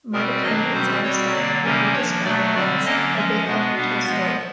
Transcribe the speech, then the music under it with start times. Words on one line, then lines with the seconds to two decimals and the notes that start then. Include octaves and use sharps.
Martikainen's lifestyle could be described as "a bit of a Tolstoyan".
0.12 B2 G3 C4 A#4
0.42 D#3 F#3 A#3 D4 D#5
0.73 B2 G3 C4 C5
1.03 B2 G3 C4 C#5
1.33 D3 F#3 A#3 D5
1.64 C3 D#3 G3 A#3 C#4
1.94 F3 A#3 D4 C#5
2.24 B2 F#3 A3 D4 D5
2.55 D3 G3 C4 D5
2.84 D3 F#3 A#3 C#4 D#5
3.15 F3 G#3 C#4 E5
3.45 B2 G#3 B3 D4 F#5
3.75 B2 G3 B3 D4 F5
4.05 F3 G#3 B3